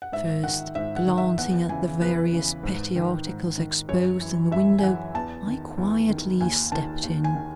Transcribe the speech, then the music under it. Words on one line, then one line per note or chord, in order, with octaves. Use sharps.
First glancing at the various petty articles exposed in the window, I quietly stepped in.
F#5
G#2 E5
D#3 F#5
G#2 E5
F#5
D#3
E5
E2 F#5
C#3 E3 G#5
E2 B4
C#3 E3
G#2
D#3
G#2
D#3
F#2 C#5
E3
F#2 E5
G#5
E3 F#5
E2 A5
D#3
E2
D#3
D#2 G#5
D#3 A5
D#2
G#5
D#3